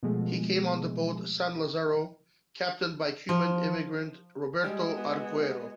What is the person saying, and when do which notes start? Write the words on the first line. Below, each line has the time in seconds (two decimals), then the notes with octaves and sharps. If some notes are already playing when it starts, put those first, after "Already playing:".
He came on the boat "San Lazaro" captained by Cuban immigrant Roberto Aguero.
0.03 B2 F3 G#3 A3
3.29 F3
4.64 G3 G#3 F#4
4.98 B3